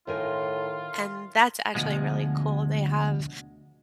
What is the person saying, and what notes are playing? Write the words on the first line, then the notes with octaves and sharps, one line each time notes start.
and that's actually really cool, they have
A2 D#3 F4 A#4 G#5
D2 B2 F3 G#3